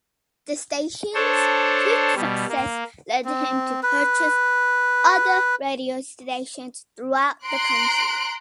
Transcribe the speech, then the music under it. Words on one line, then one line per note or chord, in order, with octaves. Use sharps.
The station's quick success led him to purchase other radio stations throughout the country.
D4 A4 C5 C#5
B2 G3
A#3
C4
B4
A#5 C6 F#6 D7